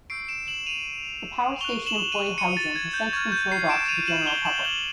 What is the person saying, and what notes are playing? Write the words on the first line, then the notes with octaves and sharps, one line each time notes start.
The power station employee housing has since been sold off to the general public.
C#6 E6 G6 C7 D7
D7 E7
E7 F#7
D#7 F7
C#6 F#6 F7 G7
E7 F#7
D#7 F7
C#7 D#7
A6
G#6
G6
C#6 F6 G#6
G6
C7
D7 E7
D#7 F7
E7 F#7
F7 G7
E7 F#7
D6 G6 E7 F#7